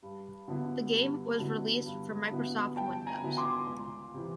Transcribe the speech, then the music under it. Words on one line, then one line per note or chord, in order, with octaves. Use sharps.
The game was released for Microsoft Windows.
G2
D3 F#3 B3 E4
G2
D3 F#3 B3 E4
G2
D3 F#3 B3 E4
G2 G5 A5
G#5 A#5
D3 F#3 B3 E4
C6 D6
C#2
C3 E3